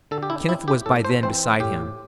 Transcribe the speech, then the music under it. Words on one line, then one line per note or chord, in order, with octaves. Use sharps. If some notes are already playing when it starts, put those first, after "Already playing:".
Kenneth was by then beside him.
D3 A4
G4
E4
C4 E4
G4
A2 A4
C5
E3 C4 C5
A2 G4